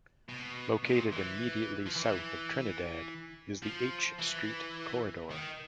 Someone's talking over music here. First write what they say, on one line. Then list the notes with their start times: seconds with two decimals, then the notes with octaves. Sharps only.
Located immediately south of Trinidad is the H Street Corridor.
0.29 B2
0.84 A#2
1.13 E3
1.86 F3
1.96 E3
3.63 F3
4.19 E3
5.31 D#3